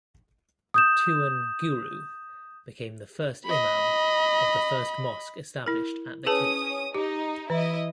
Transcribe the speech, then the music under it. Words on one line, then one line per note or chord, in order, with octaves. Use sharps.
Tuan Guru became the first imam of the first mosque established at the Cape.
D#6 G6 E7
D#5 B5
E4 A#4
C#4 G#4 B4 A5 D#6
D#4 G4
E3 E4 D#5